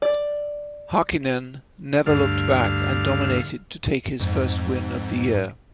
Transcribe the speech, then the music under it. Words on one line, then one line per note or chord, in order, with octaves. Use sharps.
Häkkinen never looked back and dominated to take his first win of the year.
D5
D2 G2 D3 F5 F6
F2 G#2